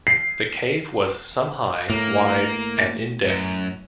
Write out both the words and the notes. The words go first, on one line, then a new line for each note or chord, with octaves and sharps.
The cave was some high, wide and in depth.
C7
A2 A#3
F#2